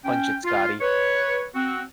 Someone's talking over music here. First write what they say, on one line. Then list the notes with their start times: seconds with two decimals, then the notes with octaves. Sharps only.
"Punch it, Scotty"
0.05 C#4 G5
0.44 F4
0.80 B4 C#5
1.54 C4 F#4